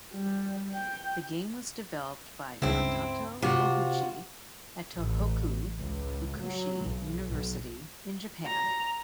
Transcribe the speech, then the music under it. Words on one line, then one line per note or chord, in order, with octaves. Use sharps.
The game was developed by Makato Ohuchi at Tohoku Fukushi University in Japan.
G3
G5
C#2 G2 C#3 C4 E4
C3 F4 F#4
A1
C#2
F#3
B1
B1
A#5